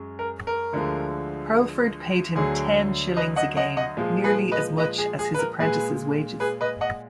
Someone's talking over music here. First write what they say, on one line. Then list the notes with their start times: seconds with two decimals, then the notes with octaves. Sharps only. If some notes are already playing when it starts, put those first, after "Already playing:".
Hurlford paid him ten shillings a game, nearly as much as his apprentice's wages.
Already playing: F#2 G#3
0.19 A#4
0.47 A#4
0.73 D2 D3 F3 G#3
2.35 D2 D3 F#3 G#4
3.17 B4 D#5
3.36 D#5 F#5
3.57 D#5 F#5
3.77 D#5 F#5
3.97 A#2 F3 G#3
4.24 G#4 B4
4.52 B4 D#5
4.78 B4 D#5
4.98 G#4
5.19 G#4
5.34 B4
5.39 A#4
5.59 A#2 G#3 G#4 B4
6.40 G#4 B4
6.61 B4 D#5
6.81 D#5 F#5